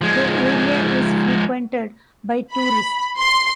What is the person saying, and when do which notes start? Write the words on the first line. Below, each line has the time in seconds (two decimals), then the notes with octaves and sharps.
The area is frequented by tourists.
0.01 F3 G#3
2.53 B5
3.18 C6